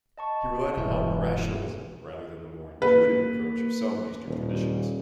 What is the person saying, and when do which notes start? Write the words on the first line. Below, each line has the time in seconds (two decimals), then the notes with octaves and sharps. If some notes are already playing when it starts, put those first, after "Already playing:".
He relied upon rationalism rather than the more intuitive approach of some Eastern traditions.
0.18 D#5 A5 C#6
0.77 E1 G2 E3
2.82 A#3 B4
4.26 D#1